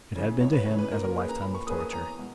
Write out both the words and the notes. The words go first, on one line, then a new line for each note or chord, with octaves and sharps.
It had been to him as a lifetime of torture.
C#3 E3
C#2 C#5
B4
C#3 E3 C#5
B4
A#2 A#4
A#4
A#3 C#4 G#4 B4
A#5
A#2 B5
C#6
A#3 C#4 G#4 B4 D#6
D#6
E2 A#5
B2